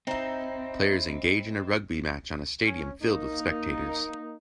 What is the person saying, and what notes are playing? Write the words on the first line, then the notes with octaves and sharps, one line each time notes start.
Players engage in a rugby match in a stadium filled with spectators.
C4 D#4 E4
C#4
A#3 D#4